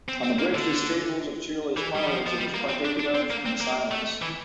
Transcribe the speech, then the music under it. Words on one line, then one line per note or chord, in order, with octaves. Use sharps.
On the breakfast-tables of cheerless parlours it was partaken of in silence.
C4
C4
A#3
D3
E3
G3
F3
F3
G3
A#3
C4
D4
D4
C4
A#3
C4
A#3
A3
E3